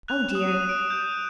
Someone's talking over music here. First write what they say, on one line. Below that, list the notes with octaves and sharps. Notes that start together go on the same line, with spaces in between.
Oh dear!
F#6 F7
E7
D#6
D#7
D#6
D7
G6